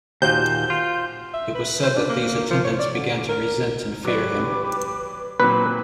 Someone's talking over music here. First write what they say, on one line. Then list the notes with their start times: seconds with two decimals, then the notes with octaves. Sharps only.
It was said that these attendants began to resent and fear him.
0.22 D#2 A#2 F#4 G4 C5 G6
0.70 F4
1.34 E5
1.55 B4
1.83 C5
1.96 D4
2.09 A#3
2.50 F3
2.65 C#5
2.80 D5
2.94 D3
3.29 A#4
4.05 F#3 G4 B4 D5 D6
5.40 A#2 F#3 C4 B4